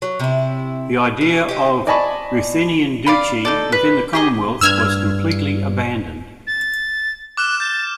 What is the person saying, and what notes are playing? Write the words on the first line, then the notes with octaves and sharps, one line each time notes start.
The idea of a Ruthenian Duchy within the Commonwealth was completely abandoned.
F#3
C3 E4
B2
G4 D#5
D5 D#5 G#5 A5 B5 C#6
D5 F5 B5
D#4 A4 D5
B4
G4 G#4 D#5
G2 E6 F6 G#6
A6
D6 F6 F#6 E7
G6 A6